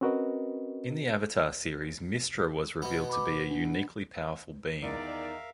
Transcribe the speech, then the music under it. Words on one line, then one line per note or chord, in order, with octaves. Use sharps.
In the Avatar Series Mystra was revealed to be a uniquely powerful being.
C4 C#4 F#4 A#4 B4 D#5
B2 B3
B5 D6
D4
E2 D#3 A#4 D5 E5 F5